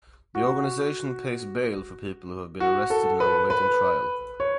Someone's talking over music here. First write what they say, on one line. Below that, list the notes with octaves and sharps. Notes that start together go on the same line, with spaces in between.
The organization pays bail for people who have been arrested and are awaiting trial.
F#4
F#4
A4
B4
B4
C#5